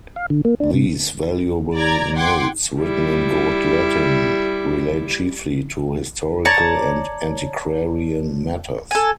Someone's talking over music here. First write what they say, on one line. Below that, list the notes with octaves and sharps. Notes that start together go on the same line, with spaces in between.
These valuable notes, written in good Latin, relate chiefly to historical and antiquarian matters.
F5
D3
A#3
D4
C3
D5 A#5 G#6
F#5 G5 C6 D6 G#6
G3 E4
C#5 D5 A5 A#5
A4 G#5